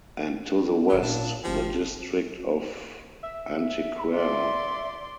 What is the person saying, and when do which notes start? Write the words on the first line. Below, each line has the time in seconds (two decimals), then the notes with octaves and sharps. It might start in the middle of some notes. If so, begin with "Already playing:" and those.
And to the west, the district of Antequera.
0.89 G#1 F#3 B5
1.02 A#2 D4 F5
1.44 G1 F3 G4 G5
3.23 E5
4.13 D5 C6